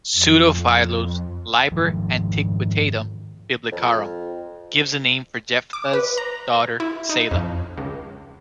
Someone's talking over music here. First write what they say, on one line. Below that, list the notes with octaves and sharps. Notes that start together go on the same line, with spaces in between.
Pseudo-Philo's "Liber Antiquitatum Biblicarum" gives a name for Jephthah's daughter, Seila.
F2
G#2 D#3 F3
F2
D6
B4
A#5
E4
D#4
F2
C#2